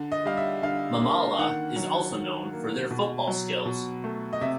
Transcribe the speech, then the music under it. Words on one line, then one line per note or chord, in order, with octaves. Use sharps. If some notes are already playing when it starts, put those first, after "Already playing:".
Mamala is also known for their football skills.
Already playing: D3
D#5
G3 F5
E5
D3 F5
A#3
D#3 F#5
F#3
D#3
A#3
B2
F#3
B2
A3
D#5
C3 E5